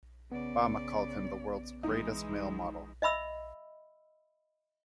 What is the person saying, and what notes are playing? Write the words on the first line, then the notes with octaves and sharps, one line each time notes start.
Bama called him the world's greatest male model.
C#3 B3 D5
E3 G#3 D#4
D#5 E5 B5 E6